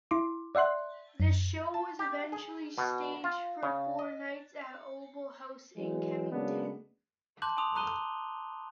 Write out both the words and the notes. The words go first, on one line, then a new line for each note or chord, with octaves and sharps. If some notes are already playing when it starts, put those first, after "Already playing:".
The show was eventually staged, for four nights, at Oval House in Kennington.
E4 C6 D6
D5 E5 F#5 C6 F#6
F#2
A5
G4
G#4
B2
F4
C#3
D#5
E3 F#3 G#3
C#3 F#3 G#3 A#3 B3 D4
A5 C6 D6 F#6 G6 F#7
G#5 A5 C6 D6 D#6 F7
A#5 D#6 F#6 D#7 G7